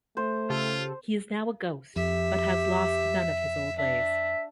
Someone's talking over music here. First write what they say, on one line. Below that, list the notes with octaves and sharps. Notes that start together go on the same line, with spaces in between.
He is now a ghost, but has lost none of his old ways.
A3 C5
C#3 F4 G4 A4
F2 G4 E5
D4 E5